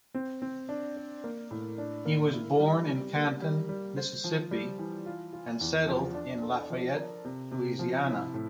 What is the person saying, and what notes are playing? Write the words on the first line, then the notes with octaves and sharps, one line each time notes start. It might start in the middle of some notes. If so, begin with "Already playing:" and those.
He was born in Canton, Mississippi, and settled in Lafayette, Louisiana.
C4
C4
D4
D5
A#3
A2
D4
A#3
E4
G3
G3
A#3
G3
G3
C5
F3
G3
E3
F4
F4
E2
F3
D4
A4
F3
A#4
C3
C3
F3
E4
A2